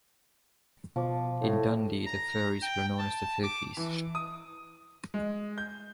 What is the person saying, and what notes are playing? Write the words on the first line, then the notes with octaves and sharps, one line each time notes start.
In Dundee, the ferries were known as "the Fifies".
B2 F3 D6
A2
A#5
G5
A5
D6
E3
D#6
G#3
G6